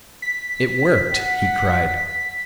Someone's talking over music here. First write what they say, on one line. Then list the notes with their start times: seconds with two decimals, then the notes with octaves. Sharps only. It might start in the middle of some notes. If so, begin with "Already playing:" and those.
"It worked!" he cried.
0.22 B6
1.13 F#5